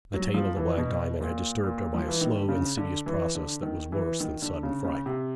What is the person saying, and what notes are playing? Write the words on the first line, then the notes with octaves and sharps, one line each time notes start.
The tale of the Black Diamond had disturbed her by a slow, insidious process that was worse than sudden fright.
F#3
F3
E3
B2
A#2
A#2
F3
E3
D#3
D3
C#3
D3
E3
D3
D#3
E3
D#3
D3
C#3
C#3
C3